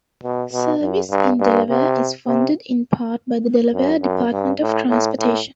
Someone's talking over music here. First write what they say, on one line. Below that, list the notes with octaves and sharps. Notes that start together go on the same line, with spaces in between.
Service in Delaware is funded in part by the Delaware Department of Transportation.
B2
B2
F#2
G2
G2
C3
C3
F#2
F#2
G2
A2
A2
A2